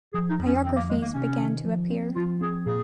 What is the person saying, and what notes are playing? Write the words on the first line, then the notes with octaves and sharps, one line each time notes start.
Biographies began to appear.
F3 G#4
D#4
F2
C#4
D#3 C4
A#3
D#3 G#3
A#3
C3 C#4
D#3
F3
C4
F3 F4
C4 G#4
A#2 G#4